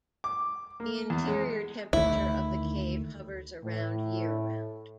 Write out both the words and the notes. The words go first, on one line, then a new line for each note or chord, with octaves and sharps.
The interior temperature of the cave hovers around year round.
D6
A#3
E2
G#3
D2 D#3 A3 E4
A2